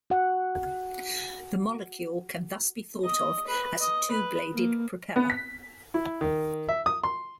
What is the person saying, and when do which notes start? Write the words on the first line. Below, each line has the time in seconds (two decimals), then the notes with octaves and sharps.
The molecule can thus be thought of as a two-bladed propeller.
0.10 F#4 F#5
3.05 D#5
3.47 B4
3.80 D#5
4.11 B4
4.53 A#3
5.16 B3
5.30 B6
5.94 E4
6.21 D#3
6.69 E5
6.86 D#6
7.03 C6